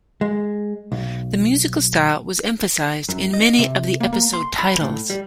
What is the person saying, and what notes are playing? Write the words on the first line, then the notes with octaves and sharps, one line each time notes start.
The musical style was emphasized in many of the episode titles.
G#3
B1
F#2
D#5
C3
A#3
A#3
C6
B5
A2
G3